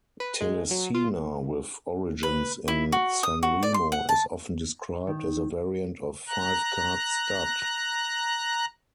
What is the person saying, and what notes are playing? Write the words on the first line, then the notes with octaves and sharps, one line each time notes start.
Telesina, with origins in Sanremo, is often described as a variant of five-card stud.
B4
G#3
F#3
F4
B4
E4
F#4
D#6
F#4
D5
C6
F#5
A5
D#3
A#5 F#6